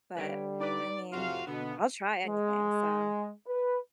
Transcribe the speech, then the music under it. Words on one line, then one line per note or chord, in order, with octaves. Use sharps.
but, I mean, I'll try anything, so
D3 G3 B4 C#5 G5
D#4 B4 D5
F2 A2 C3 F4 F#4 F5
B2 D3 B3
G#3
B4